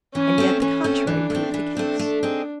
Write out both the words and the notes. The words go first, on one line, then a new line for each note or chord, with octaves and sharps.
And yet the contrary proved the case.
E3 C#4
A3 C4
E3 C#4
A3 C4
E3 D4
A3 C4
E3 D4
A3 C4
A3
C4 D#4 G#4